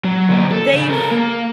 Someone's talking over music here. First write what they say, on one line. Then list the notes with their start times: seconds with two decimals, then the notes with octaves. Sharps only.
mm, they've
0.04 F#3
0.29 D3 A#3
0.52 A4
0.75 C#3
0.89 A4 A#4
1.11 A#3